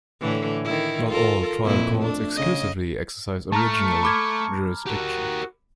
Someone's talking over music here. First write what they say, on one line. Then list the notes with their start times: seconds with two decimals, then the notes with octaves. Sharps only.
Not all "trial courts" exclusively exercise original jurisdiction.
0.21 A2 D3 E3
0.64 D#3 E4
1.09 F4 A4 A#4
1.64 F2 A#2 E4
1.99 A3 D4
2.36 C#3 D#5
3.52 A3 A5 A#5 C#6 F6
4.03 B5 D6 G#6
4.87 F#4 G4 A#4